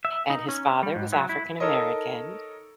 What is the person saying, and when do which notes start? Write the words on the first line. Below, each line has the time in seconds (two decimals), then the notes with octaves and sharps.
and his father was African American,
0.05 E5
0.30 D#4
0.49 C#4
0.83 G3
0.95 G#2
1.13 F#3
1.29 E4
1.60 D#4 A4 A#4 C#5 D#5